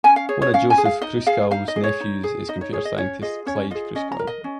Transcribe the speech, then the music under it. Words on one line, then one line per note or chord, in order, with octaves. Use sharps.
One of Joseph Kruskal's nephews is computer scientist Clyde Kruskal.
C#4 G#5
F5
G#4 C#5
C#5
C#4 F5
G#5
G#4
F5
D#4 D#5
G#4 F5
D#4 F5
D#5
G#4
C#5
D#4
G#4
D#4 D#5
C#5
G#4 C#5
D#5
C#4 C#5
F4 G#4 D#5
C#4 C#5
F4 G#4 D#5
C#4 D#5
A#5
A#4
D#5
C#4